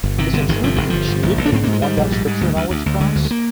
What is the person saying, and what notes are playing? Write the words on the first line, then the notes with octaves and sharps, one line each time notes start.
Is it true that you cheated when you won that Scripture-knowledge prize?
G1
C3 D#3
G1 D3
G1 D#3
C3 F3
G1 D#3
G1 F3
G1
A#1
A#1
D4
G#2 C4
G#2 A#3
G#3
G#2 G3
A#1
G#2
G#2
D2
D2
D2
D2
D3 G#3
D2
G#3
A#3